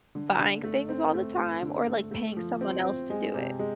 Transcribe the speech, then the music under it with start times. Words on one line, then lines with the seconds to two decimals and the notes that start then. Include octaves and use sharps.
buying things all the time or, like, paying someone else to do it.
0.15 D3
0.39 D3
0.63 A3
0.89 C4
1.14 A3
1.38 A3
1.62 D3
1.87 A3
2.11 A3
2.37 F3
2.61 C4
2.85 C4
3.10 G#3
3.34 C3
3.59 G#3